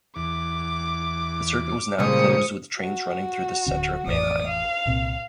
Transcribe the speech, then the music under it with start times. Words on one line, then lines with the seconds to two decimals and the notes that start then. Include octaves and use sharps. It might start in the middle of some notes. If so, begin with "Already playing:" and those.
The circuit was now closed with trains running through the centre of Mannheim.
0.16 E2 D6
1.99 A#2 C#3 F3 G3 G#3 D#6 C#7
2.80 F#4
3.66 D1 D3 C#4
4.07 A1 F2 D5 D#6
4.47 F5
4.86 C2 A#2 C4